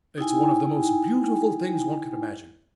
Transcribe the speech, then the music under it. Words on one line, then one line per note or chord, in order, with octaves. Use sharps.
It's one of the most beautiful things one could imagine.
D#4 E4 G5 G#5